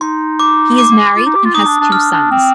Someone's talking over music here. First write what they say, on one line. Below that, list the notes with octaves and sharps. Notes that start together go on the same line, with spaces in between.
He is married, and has two sons.
D#4 C6
D6
D6
F4
D#4
G4
F4
D#4 D#6
D4
D4
D4 F6
D4
C4